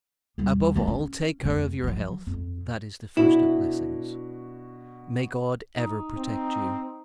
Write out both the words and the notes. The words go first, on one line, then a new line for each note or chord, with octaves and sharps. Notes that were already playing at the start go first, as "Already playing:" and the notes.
Above all, take care of your health; that is the first of blessings. May God ever protect you!
E2 G3
D#3 A3
C#4
F2 A3
F3 F#3
F2
B2 D4 E4 F#4
D#4
C4